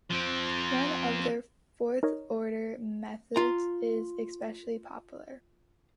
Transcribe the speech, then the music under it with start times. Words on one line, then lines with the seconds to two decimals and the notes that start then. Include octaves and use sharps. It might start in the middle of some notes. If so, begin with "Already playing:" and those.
One of their fourth-order methods is especially popular.
0.10 F3 C4
2.03 D#4 A#4 C#5 D#5
3.36 F4 A#5